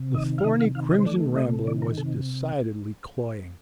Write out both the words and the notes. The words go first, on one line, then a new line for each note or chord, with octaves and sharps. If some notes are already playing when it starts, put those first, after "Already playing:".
The thorny crimson rambler was decidedly cloying.
Already playing: C3
D#3 D#5
F5
C3 D#5
F5
D#3 F5
D#5
C5
A3 D5
C3 D#5
D#3 D5
A#4
C3 A4